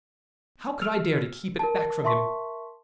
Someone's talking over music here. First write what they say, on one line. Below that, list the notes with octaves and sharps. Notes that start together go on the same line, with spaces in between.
How could I dare to keep it back from him?
E6 F6 F7
A#4 A5
A#4 E5 A5 C6 C#6 B6